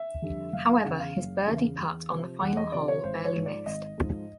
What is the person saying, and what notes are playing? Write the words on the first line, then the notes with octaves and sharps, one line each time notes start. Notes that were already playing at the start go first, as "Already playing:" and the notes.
However his birdie putt on the final hole barely missed.
Already playing: E5
F2 D3 G3
F#1 F5
F5
E2 C#3 F#5
F5
F#1
E2 C#3
E2
C3 F3
E2 F#5
D#5
C3 F3 D5
C#5
G#1 C5
C#5
G#2 F3
D5
G#1 D#5
G#2 F3